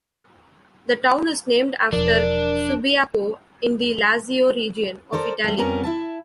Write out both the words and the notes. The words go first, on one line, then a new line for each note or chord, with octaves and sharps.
The town is named after Subiaco in the Lazio region of Italy.
E1 F3 D4 A#4 D5
A4 A#4 C5 D5
G3 A3
F2 G3 B3 C#4 A#4 A#5
E4 E5 A5